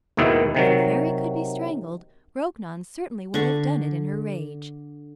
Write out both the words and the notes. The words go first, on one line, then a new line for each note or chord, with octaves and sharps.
If a fairy could be strangled, Grognon certainly would have done it in her rage.
D#2 G#2 B2 D#3 E4
C3 D#3 F#3
D3 C#6